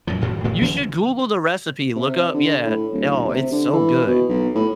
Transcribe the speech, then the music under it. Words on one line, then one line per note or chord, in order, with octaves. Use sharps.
You should Google the recipe, look up Yeah. Oh, it's so good.
F#2 A#2 F3
G#1 F#2 A2 A3
A1 A2 G#3 A3
C#3 E3 F#3 C4
C3
D3
A2
D1
C3
D3
E3
B2
B1
A2